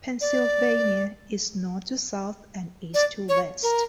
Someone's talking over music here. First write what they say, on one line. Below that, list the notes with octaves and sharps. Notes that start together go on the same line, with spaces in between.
Pennsylvania is north to south and east to west.
D5
D5
C#5
A#4